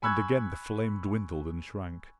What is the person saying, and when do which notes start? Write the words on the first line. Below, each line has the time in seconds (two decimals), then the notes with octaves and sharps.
And again the flame dwindled and shrank.
0.02 G#5 B5 C#6 E6 F#6 G#6